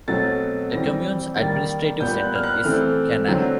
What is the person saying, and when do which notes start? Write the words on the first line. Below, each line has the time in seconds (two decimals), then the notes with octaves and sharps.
The commune's administrative centre is Canach.
0.08 B2 F#3 A3 C4 A6
0.72 E3 G3 C4 A#6
1.36 D#3 G3 A#3 A6
2.01 A#2 G3 B3 G6
2.22 F#6
2.35 F6
2.43 F#6
2.64 E3 A3 C4 F6
3.28 D3 F#3 A3 C4